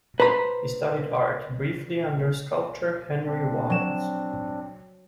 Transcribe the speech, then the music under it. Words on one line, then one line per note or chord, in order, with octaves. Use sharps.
He studied art briefly under sculptor Henry Wiles.
B4 C5 A#5 B5
C4 D4
F#3 E7